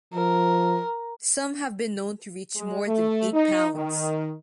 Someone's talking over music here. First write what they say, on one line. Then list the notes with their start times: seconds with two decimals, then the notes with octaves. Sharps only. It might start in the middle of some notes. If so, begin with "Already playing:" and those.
Some have been known to reach more than eight pounds.
0.14 F3 A#4
2.56 G#3
2.87 A3
3.33 D#4
3.75 D#3